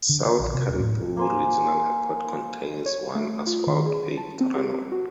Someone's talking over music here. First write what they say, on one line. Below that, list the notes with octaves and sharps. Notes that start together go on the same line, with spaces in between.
South Cariboo Regional Airport contains one Asphalt paved runway.
D3
D3
A#1
C3
D#1
A2
A#3 C5 G#5
C#5
A3
F4
D#3
G#4
A5
C4
G4
F#4